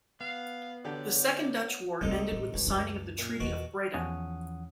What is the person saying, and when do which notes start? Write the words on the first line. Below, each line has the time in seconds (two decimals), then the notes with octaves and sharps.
The Second Dutch War ended with the signing of the Treaty of Breda.
0.21 B3 F5
0.85 D3 F#3 D4 G4 D5
2.01 C2 A3 C4 D#4 A4
2.32 A1
2.54 C#2 G#2
2.67 F#2
3.19 A#2 F5
3.40 E2 B2 F#4 D6
3.94 E2 E3 F3 C#4 F#5 D#6